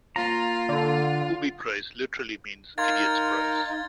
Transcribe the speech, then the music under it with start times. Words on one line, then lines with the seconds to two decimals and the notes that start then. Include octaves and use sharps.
Booby prize literally means "idiot's prize".
0.16 A#3 F4 A#5
0.69 D3
2.78 D#4 A#4 F5 C6 F6 G#6 A6